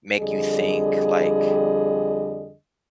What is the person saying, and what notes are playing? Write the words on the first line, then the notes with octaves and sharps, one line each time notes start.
make you think, like,
F2 D3 G3 G#4 D#5